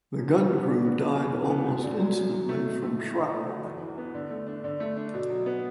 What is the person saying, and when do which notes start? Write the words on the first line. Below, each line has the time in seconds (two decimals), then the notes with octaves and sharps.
The gun crew died almost instantly from shrapnel.
0.18 F#2
0.35 F#3
0.51 B3
0.67 D3
0.85 B3
1.00 F#4
1.16 E2
1.34 E3
1.50 B3
1.67 D2
1.83 D3
2.00 F#3
2.17 F#2
2.33 F#3
2.49 A3
2.66 B2
2.82 A3
2.98 E4
3.15 D3
3.31 A3
3.48 F#4
3.64 E2
3.81 E3
3.98 B3
4.14 D3
4.30 A3
4.47 D4
4.64 D3
4.80 A3
4.97 D4
5.14 B2
5.30 F#3
5.46 B3